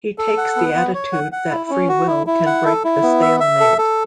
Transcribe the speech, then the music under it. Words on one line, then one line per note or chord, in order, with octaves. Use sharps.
He takes the attitude that free will can break the stalemate.
A4
F#5
B3
B3
C#5
F#5
F#5
E4
C#4
F#4
E4
E4
F#5
A4
E4
B3
E5
E5
A4
A4